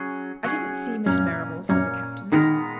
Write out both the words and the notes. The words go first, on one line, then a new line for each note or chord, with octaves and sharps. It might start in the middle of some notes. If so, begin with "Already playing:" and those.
"I didn't see Miss Marrable," said the Captain.
Already playing: F#3 C#4 G#4
F#3 C#4 G#4
F#2 A#2 A#3 C#4
F#2 A#2 A#3 C#4
A#2 D#3 G#3 B3 D#4 A#4